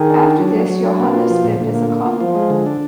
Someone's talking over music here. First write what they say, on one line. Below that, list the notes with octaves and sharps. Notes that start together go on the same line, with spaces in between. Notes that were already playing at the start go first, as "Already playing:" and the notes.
After this, Yohannes lived as a commoner.
Already playing: D#3 G#4
D4
D4
F#3
F#3
F#3
D4
B2 A#3
F4
F3
A#2
A#2 D3
A#3
A#3
F4
F3 F4
G#3
D3
D4